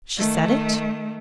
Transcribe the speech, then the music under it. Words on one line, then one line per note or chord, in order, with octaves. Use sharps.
She said it?
D#3 A3